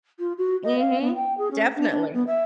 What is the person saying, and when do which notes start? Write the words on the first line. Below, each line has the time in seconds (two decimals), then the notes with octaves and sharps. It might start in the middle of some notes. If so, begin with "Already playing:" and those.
Mhm. Definitely.
0.19 F4
0.37 F#4
0.63 D#5
0.78 F5
1.00 B3
1.15 G5
1.37 G#4
1.51 C#4
1.75 D4
1.90 D4
2.13 B3
2.26 E5